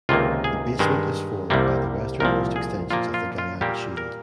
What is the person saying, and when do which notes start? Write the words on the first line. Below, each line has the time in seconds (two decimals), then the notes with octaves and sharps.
The basement is formed by the westernmost extensions of the Guiana Shield.
0.09 C#2 C3 D#3 A#3 F4
0.44 G#4
0.79 G2 D#3 G#3
1.50 C2 C3 G3 A#3
2.20 C2 A#2 F3 A#4
2.56 G#4
2.90 A#2 F3 A#3 F4
3.14 F4
3.38 F4
3.61 A#2 G3 A#3 G4
3.97 A#4